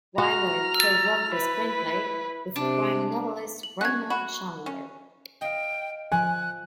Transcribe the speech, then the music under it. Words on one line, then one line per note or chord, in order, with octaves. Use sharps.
Wilder co-wrote the screenplay with crime novelist Raymond Chandler.
F#4 A#5 F6
E4 B4
C3 D4
F#7
C#4 F#4 F#6 G#6
F#4 B5
C#4
D#5 F5 G5
F3 G#5 F#6